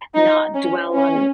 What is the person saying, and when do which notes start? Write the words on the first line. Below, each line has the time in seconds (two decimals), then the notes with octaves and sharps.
not dwell on
0.14 D#4
0.54 C#4
0.95 C#4